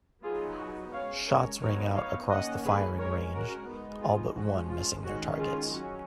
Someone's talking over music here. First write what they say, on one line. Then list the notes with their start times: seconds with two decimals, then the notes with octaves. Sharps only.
Shots rang out across the firing range, all but one missing their targets.
0.24 F#3 B3 D#4 F4 G#4
0.59 F#4
0.93 G#3 C#4 C#5 F5
1.28 A#4 C#5
1.61 F#3 B3 D#4 A#4 C#5
1.95 C#5 F5
2.29 D#3 A#3 C#4 D#5 F#5
2.64 G#4 B4
2.99 G#3 C#4 A#4 C#5
3.33 F#4 A#4
3.67 G#3 B3 D#4
4.01 F4 G#4
4.35 F3 G#3 C#4 F#4
4.69 F4
5.04 D#3 G#3 C#4 F#4
5.39 F4 G#4
5.72 F#3 C#4 F#4